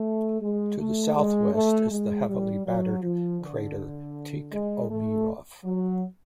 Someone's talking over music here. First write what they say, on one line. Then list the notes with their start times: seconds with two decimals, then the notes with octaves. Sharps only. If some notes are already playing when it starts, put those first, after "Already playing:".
To the southwest is the heavily battered crater Tikhomirov.
Already playing: A3
0.41 G#3
0.79 A3
1.16 G#3
1.54 A3
1.91 G#3
2.29 G3
2.66 F#3
3.03 F3
3.40 D3
4.52 G#3
4.90 A3
5.64 F#3